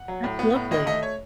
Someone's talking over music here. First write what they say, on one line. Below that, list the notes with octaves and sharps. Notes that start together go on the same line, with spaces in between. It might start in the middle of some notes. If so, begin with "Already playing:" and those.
That's lovely.
Already playing: F#5
F#3
A2
B3
A2
D#2 D#5
A3 D#5
C#5